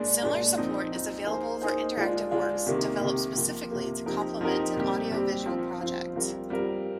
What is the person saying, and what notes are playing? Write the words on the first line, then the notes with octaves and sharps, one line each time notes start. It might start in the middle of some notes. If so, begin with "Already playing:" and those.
Similar support is available for interactive works developed specifically to complement an audiovisual project.
Already playing: A#2 G#3 D4
A#2 G#3 D4
F3 C4 D#4
F3 C4 D#4
A#3 D#4 G#4 C5
A#3 D#4 G#4 C5
G#3 D4 F4
G#3 D4 F4
C3 D#3 A#3
C3 D#3 A#3
C3 F3 A#3
C3 F3 A#3
F3 C4 D#4 G4 A#4
F3 C4 D#4 G4 A#4
A#2 G3 C4 G4
A#2 G3 C4 G4
F3 C4 F4 C5
F3 C4 F4 C5
G3 C4 F4 A#4
G3 C4 F4 A#4